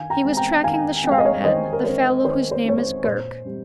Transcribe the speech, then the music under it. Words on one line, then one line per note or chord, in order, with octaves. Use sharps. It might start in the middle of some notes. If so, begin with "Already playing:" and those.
He was tracking the short man, the fellow whose name is Girk.
Already playing: D#3 F5 G#5
G5 A#5
G#3 C4
G5 A#5
D#3 F5 G#5
G#3 C4 F5 G5
D#5
C#5 F5
D#3 C5 D#5
A#4
G#3 C4 C5
D#3 C5
C5
G#3 C4 C#5
C5
A#2 C5
G3 C4